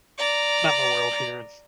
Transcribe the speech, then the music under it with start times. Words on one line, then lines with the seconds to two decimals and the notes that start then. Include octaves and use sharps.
it's not my world here, and
0.18 D5 A#5